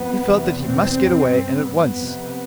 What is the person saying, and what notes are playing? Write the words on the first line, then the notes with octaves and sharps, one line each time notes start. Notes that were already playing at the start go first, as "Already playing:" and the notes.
He felt that he must get away, and at once.
Already playing: F2 B3
E2 C3
E2 B2 C4
E2 C3
G2
G2 B3
F2 C3